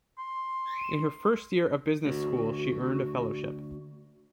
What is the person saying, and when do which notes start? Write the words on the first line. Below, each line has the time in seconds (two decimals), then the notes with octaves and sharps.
In her first year of business school, she earned a fellowship.
0.18 C6
2.05 D2 F#4